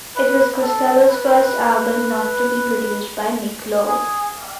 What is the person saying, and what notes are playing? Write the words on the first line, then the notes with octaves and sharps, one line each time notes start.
It was Costello's first album not to be produced by Nick Lowe.
B4
A4
B4
G#4